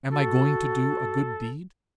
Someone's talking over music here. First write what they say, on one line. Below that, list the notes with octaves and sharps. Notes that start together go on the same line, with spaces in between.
Am I going to do a good deed?
F#4 A4